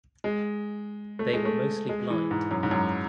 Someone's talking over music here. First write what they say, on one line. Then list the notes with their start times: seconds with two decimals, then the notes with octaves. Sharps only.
They were mostly blind.
0.24 G#3
1.19 A3
1.33 G#3
1.45 A3
1.89 G#3
2.10 E3
2.31 G#2
2.51 F#2
2.63 G#2
2.71 F#2